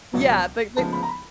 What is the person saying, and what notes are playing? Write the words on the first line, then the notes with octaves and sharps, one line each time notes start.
Yeah, like they
C#2 B2 F#3
D2 C#3 F3 G#3 B3 A5
B5
A#5
B5